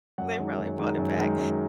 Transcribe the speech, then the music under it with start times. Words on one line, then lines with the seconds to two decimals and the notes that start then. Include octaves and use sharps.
they probably brought it back.
0.18 F#2 F#5
0.39 D#3 G#3
0.58 F#2
0.78 D#3 G#3
0.98 F#2
1.17 D#3 G#3
1.38 F#2